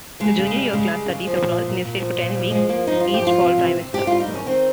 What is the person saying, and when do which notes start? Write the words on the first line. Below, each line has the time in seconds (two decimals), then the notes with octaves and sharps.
The Junior year class studies abroad in Israel for ten weeks each fall trimester.
0.20 C#3 G#3
0.38 C#3
0.47 G#3
0.56 G3
0.73 C#3 G#3
0.91 G3
1.09 C#3
1.27 F3
1.45 A#2
1.62 A#2
1.80 A#2
1.98 F3
2.16 A#2
2.34 F3 G3
2.51 F3 G#3
2.69 F3 A#3
2.87 F3 D#4
3.00 F3 F4
3.14 G4
3.22 F3 F4
3.40 C3
3.58 C3
3.76 C3
3.93 C3 G4
4.07 F4
4.12 G3
4.20 D#4
4.29 D#3 C#4
4.46 D#3 C4